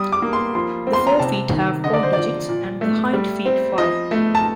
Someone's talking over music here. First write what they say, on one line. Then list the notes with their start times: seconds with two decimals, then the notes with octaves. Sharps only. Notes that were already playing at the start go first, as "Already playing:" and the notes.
The fore feet have four digits and the hind feet five.
Already playing: G3 D#6
0.12 D6
0.22 A#3
0.33 C6
0.55 F3 C6
0.87 C4
0.93 C6
1.07 A#5
1.19 C3 A5
1.52 D#3
1.84 D3 D#5
1.93 D5
2.03 C5
2.13 F3 D5
2.49 A#2
2.81 A3
3.13 G3
3.45 C4
3.78 F3 D#5
4.11 A3
4.35 A5